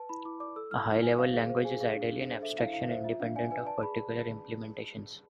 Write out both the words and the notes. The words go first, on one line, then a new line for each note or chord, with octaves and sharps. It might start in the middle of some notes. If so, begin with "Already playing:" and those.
A high level language is ideally an abstraction independent of particular implementations.
Already playing: B4 A5
E4 B5
E4 D6
D5 D6
A4 E6
E4 F6
E4
D5 G#5
C5 F5
G#4 F5
C5 F5
G#4 G#5
G#4 F5
D4
D4
C5
A4 E5
E4 F5
E4 F5
C5 E5
F4 E5
D4 F5
D5 G#5
B4 G#5
D5 A5
G#4 B5